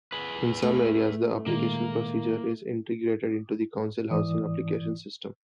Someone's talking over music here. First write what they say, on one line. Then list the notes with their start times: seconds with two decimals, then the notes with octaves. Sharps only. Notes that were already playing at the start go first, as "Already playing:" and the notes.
In some areas the application procedure is integrated into the council housing application system.
0.12 G#4 B4
0.62 A3
1.47 A#2 D#3 G#3 A#3
4.11 G#2 E3 D5 D#6